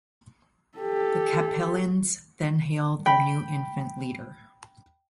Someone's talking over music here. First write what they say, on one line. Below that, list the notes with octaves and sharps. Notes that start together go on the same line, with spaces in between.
The Capellans then hail their new infant leader.
G4 A4
G5 B5